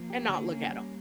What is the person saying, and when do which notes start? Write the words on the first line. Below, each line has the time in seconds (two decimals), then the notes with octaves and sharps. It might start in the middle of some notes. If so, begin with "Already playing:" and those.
and not look at 'em.
Already playing: F3 A#3
0.10 G4
0.29 D3
0.49 C#4
0.69 G3